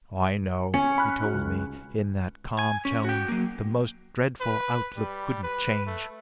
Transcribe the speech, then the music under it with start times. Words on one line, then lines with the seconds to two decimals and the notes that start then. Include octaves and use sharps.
"I know," he told me in that calm tone the most dreadful outlook couldn't change.
0.74 C#4 C#7
0.98 B5 F6 F#6
1.20 D#4 F#4
1.34 C#2
2.59 G#5
2.85 C#4
3.04 F#4 G5
3.28 F#3 A#3
4.40 B4
4.97 G3
5.43 B4
5.86 A3